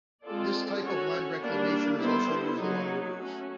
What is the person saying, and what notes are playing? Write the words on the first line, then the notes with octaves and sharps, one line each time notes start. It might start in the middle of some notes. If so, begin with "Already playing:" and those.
This type of land reclamation is also used along rivers.
G#3 C4 F4 A4 D5
C#4 F#4 A4 C#5
G3 A#3 D4
G3 B3 E4 A4 C5
F#3 A#3 D#4
A3 C#4 F#4